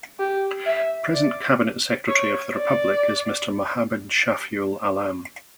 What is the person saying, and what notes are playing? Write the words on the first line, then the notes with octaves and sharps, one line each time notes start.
Present Cabinet Secretary of the Republic is Mr. Mohammad Shafiul Alam.
G4
E5
D5
C#5
D5